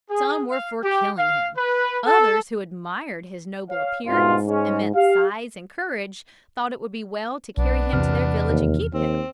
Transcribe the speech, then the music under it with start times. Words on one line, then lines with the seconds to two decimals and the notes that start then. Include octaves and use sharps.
Some were for killing him; others, who admired his noble appearance, immense size, and courage, thought it would be well to carry him to their village and keep him.
0.10 G#4
0.50 F5
0.84 G4
1.18 F5
1.57 B4
2.06 A4
3.70 C#5 F5
4.07 C2 G#2 B2 F4
4.48 G#3 C#4
4.95 G4 F5
7.57 B1 B3 D4
7.93 E2 C3 F6
8.49 D#2
8.94 D#2 C4